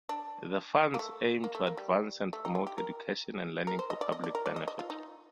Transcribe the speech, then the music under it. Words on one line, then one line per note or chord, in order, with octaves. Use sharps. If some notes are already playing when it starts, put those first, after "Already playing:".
The Funds aim to advance and promote education and learning for public benefit.
D4
A#3
A3
A#3
A3
A#3
G3
A3
D#4
F4
G4
A#4
A#4
C5
D#5
D5
D#5
D5
A#4
D5
D#5
D#5
F4
D#4